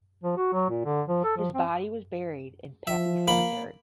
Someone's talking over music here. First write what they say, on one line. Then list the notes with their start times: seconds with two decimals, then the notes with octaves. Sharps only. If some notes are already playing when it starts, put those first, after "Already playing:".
His body was buried in Passy Cemetery.
0.24 F3
0.37 F#4
0.53 F#3
0.70 A#2
0.85 D3
1.08 F3
1.24 A4
1.37 F3
1.54 C4
2.87 F3 E5
3.28 A#3 B5